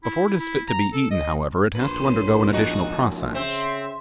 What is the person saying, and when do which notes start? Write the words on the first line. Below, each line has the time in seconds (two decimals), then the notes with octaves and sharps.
Before it is fit to be eaten, however, it has to undergo an additional process.
0.04 E4
0.27 E4
0.40 E4
0.68 A#5
0.93 A4
1.11 D#5
1.75 A#1 B4 C5
2.53 F2 B2 D#4 F#4
3.35 C#3 C4 E5